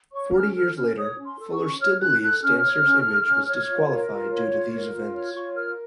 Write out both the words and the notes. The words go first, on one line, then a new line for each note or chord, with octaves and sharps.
Forty years later, Fuller still believes Dancer's Image was disqualified due to these events.
C#5 C#6
C#4 F6
A4 F6
C#4 F6
C#5 D#6
C#4
C6
A4
C#6
C#4
C#5 F6
C#4 F#6
A4 F#6
C#4 F6
C#5
C#4
A4
C#4
C#5
F4
A#4
F4
C#5
F4
A#4
F4
C#5 F6
F4 C#6
A#4 F6